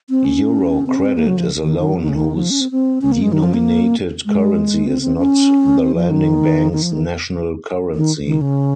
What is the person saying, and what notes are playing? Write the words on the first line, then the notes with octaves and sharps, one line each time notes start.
Eurocredit is a loan whose denominated currency is not the lending bank's national currency.
C4
C#4
C4
C#4
C4
A#3
F#3
F3
D#3
D#3
F3
D#3
C#3
D#3
F#3
F3
C#4
C4
C4
C#4
A#3
G#3
D#3
F3
A#3
G#3
C4
C4
C#4
C4
F3
D#3
D#3
F3
D#3
D#3
D#3
C#3